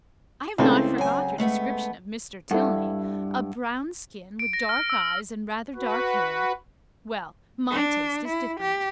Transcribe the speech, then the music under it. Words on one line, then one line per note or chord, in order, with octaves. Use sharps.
I have not forgot your description of Mr. Tilney: 'a brown skin, with dark eyes, and rather dark hair.' Well, my taste is different.
C#2 A2 C4 A4
F#3 G#5
G#3 A3 B3
G2 E4 A4 F#5
D7
A#6
F6
E6
F#4 B4
D4
E4
G4